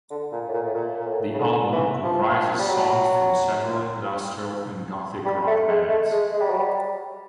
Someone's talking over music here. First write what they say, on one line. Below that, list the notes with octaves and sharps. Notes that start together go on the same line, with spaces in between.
The album comprises songs from several industrial and gothic rock bands.
D3
A#2
A2
A#2
A2
A#2
A#2
A2
C#3
D3
E3
F3
G3
F#3
G3
A3
G#3
A3
G#3
G#3
G3
F#3
G3